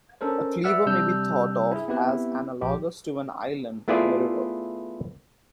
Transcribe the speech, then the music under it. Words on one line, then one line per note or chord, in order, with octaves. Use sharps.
A cleaver may be thought of as analogous to an island in a river.
C#4 D4 A4 A#4 C5
B4 D5 E5 F#5 E6 F6
C3 G3 D4 E6 F6 G6
E4 G#4
B3 C4 E4 G4 B4
A#1 G4
A3 B3 E4 F4 G#4 D5